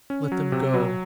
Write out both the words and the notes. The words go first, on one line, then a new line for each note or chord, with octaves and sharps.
Let them go!
C#4
F#3
C3
F#3